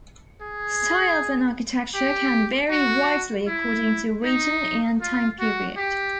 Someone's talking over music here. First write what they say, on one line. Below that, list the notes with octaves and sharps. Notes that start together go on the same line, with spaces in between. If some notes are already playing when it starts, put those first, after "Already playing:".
Styles and architecture can vary widely according to region and time period.
G#4
G4
F#4
E4
D#4
F4
F#4
G4